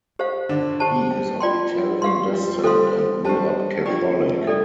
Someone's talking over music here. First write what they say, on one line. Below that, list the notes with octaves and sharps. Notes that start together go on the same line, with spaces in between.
He is of Italian descent and grew up Catholic.
G4 C5 F5
D3 D4
G4 C5 A5
G3
F4 D5 G5 C6
F3
G4 F5 C6
F3
G3
G3
F3
G3 A4 C5 F5 C6
G3 G4 C5 A5
F3 D4 G4 D5 G5
A3
G3 D4 A4 D5 G5